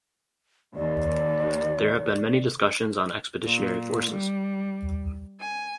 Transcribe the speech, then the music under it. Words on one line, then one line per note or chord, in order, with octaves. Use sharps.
There have been many discussions on expeditionary forces.
D#2 D5
A#2
G3
G#5